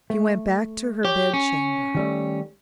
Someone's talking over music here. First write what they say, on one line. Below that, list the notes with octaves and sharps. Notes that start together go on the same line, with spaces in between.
She went back to her bed-chamber.
A3
G4 C#5
C#4
D#3 G3 A3